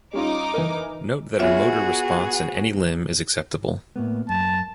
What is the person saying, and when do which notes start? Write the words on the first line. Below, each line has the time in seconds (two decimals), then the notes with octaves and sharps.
Note that a motor response in any limb is acceptable.
0.13 G3 C#4 D#4 F4 D6
0.54 E3 A#4
1.39 B3 F4 F#4 G#4 C#5 E5
3.96 A2 A#3 B3
4.29 F#2 A5